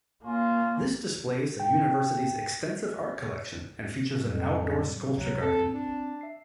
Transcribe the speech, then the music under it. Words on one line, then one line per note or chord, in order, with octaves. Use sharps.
This displays the University's extensive art collection, and features an outdoor sculpture garden.
A#3 C#4 F4
G5
F2 A2 F#3 G3
C#2 C3 F#3 F#6
C4 A4
D4
E5 C7